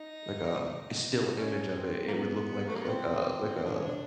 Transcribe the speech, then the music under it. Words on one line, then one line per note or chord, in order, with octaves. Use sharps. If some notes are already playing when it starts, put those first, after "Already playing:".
like, um, still image of it, it would look like a like a like a
Already playing: D#4
D#4
C#4
C4
A#3
B3
A3
A#3
B3
C4
D4
C#4
D4